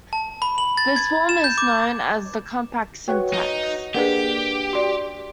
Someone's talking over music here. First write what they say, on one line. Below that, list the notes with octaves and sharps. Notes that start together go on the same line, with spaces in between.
This form is known as the compact syntax.
A5
B5
F#7
A6
G#6
E7
G6
D6
F#4 B4 C#5 F#5 G5
D#4
A#3 D4 G4 G#4 B4 F#5 B6
F#4 D5 C6